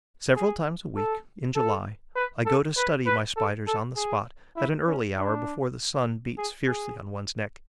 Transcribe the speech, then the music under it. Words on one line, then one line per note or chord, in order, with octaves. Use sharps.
Several times a week, in July, I go to study my Spiders on the spot, at an early hour, before the sun beats fiercely on one's neck.
G#4
A4
A4
B4
A4
B4
B4
A4
A4
G#4
E4
C#4
D4
G#4
G#4